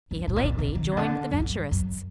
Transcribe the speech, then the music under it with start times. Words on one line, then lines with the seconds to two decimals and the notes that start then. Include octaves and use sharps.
He had lately joined the Venturists.
0.11 G2
0.27 A2
0.36 A#2
0.43 C3
0.59 C3
0.75 D#3
0.91 C3
0.97 D3
1.31 F#2
1.39 G2
1.71 F#2